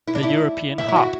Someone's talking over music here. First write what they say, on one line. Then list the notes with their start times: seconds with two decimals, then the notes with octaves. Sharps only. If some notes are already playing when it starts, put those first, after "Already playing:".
The European Hop!
0.08 E4
0.15 D4
0.24 E4
0.78 E4
0.88 E4
0.96 F#4